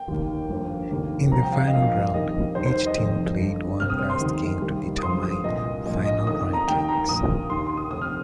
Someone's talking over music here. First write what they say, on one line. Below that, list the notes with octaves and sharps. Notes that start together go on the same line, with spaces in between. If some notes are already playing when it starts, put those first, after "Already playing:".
In the final round, each team played one last game to determine final rankings.
Already playing: G5
D#2 D#3 A#3
G1 G2 F3 A#3
F1 D#2 D#3 A#3
C2 C3 F3 A#5
G5
F5
D#5
A#1 A#2 F3 A#3 F5
F2 D#3 G3 A#3 D#5
D#2 D#3 G3 C5
C5
D#5
F1 F2 D#3
G1 G2 G3
C2 C3 G3 F6
D#6
C5
C6
F1 D#2 D#3
C2 C3 D#3 G3 A#3
D#6
G1 F2 F3 C6
D#6
C2 A#2 G3 A#3 D#5
A#1 A#2 A#3 D#5
D#5
F1 F2 D#3 A#3 D#6
D#6
A#5
D#2 D#3 A#3 G5
A#5
A#1 A#2 A#3 D#6
D#2 D#3 A#3 C6
C6
D#6
F1 F2 C3 D#6
F6